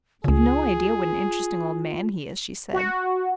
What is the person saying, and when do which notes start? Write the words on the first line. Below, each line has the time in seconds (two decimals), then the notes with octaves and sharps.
"You've no idea what an interesting old man he is," she said.
0.24 C#2 C#3 F4 G#4
2.73 F#4